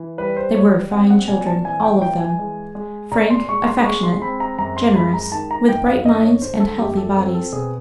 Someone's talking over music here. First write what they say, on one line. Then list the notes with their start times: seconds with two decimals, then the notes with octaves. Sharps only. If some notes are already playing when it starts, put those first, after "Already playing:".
They were fine children, all of them,--frank, affectionate, generous, with bright minds and healthy bodies.
Already playing: E3
0.18 G3 B4
0.37 C5
0.55 G3 C#5
0.91 C4 F#5
1.10 F#5
1.28 A#2 G#5
1.47 A5
1.65 E3 G#5
1.83 G5
2.02 E3 G5
2.20 G#5
2.39 G#3
2.75 G#3
3.11 A#2 A#5
3.30 C6
3.49 G#3 C#6
3.67 C6
3.85 G#3 C#6
4.03 C6
4.22 C4 B5
4.40 A#5
4.58 F#2 A#5
4.77 C6
4.95 G#3 B5
5.14 A#5
5.31 D#3 A5
5.51 A#5
5.69 F#2 G5
5.87 F5
6.05 D3 D#5
6.24 C#5
6.42 D3 C5
6.60 A4
6.79 F#2 G4
6.97 A4
7.16 C4 A4
7.34 A4
7.52 B2 G#4